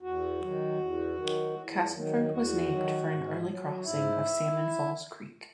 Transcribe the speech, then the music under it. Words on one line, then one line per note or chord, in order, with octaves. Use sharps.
Castleford was named for an early crossing of Salmon Falls Creek.
E2 F#4
D#3 F#3
E2
D#3 F#3
E2
D#3 F#3
E2 F#4
D#3 F#3
G#2
F#3
F#4
G#2 E4